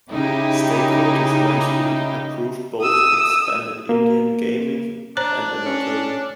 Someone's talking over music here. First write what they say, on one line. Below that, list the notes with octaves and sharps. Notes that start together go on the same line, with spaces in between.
State voters eventually approved both expanded Indian gaming and a lottery.
C#3 D#4 E4 G4
D#6 E6
A#3
D4 C5 C#5 A#5 F#6
C#4